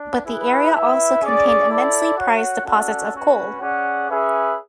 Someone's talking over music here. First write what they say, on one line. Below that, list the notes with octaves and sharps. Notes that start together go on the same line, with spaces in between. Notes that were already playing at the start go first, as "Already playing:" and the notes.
But the area also contained immensely prized deposits of coal.
Already playing: D4
E4 G#4 B4
E4 B4 E5
C#4 G#4 D5
E4 A4 D5
F#4 C#5 F#5
C#4 F#4 A4 D5 F#5
C#4 F#4 B4
C#4 G#4 D5 F#5
C#4 G#4 B4 E5